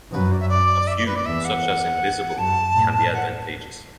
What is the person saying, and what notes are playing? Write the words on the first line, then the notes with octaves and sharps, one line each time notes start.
A few, such as invisible, can be advantageous.
F#2 B4
D5
E5
D5
E5
D5
B4
D5
E2 E5
F#5
F#2 A5
A2
F#5